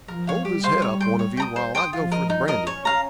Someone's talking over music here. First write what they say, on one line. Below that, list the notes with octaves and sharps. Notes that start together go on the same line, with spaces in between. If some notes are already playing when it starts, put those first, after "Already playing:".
'Hold his head up one of you while I go for the brandy.
F3 A#4
C#5 F5
G3 G4
C5 F5 C6
C#5
G5 C6
C#5
G5 A#5 D#6
C5
G5 C6 D#6
F3 F4
A#4 D#5
D#4
A#4 D#5
C#4 C#5
F5 A#5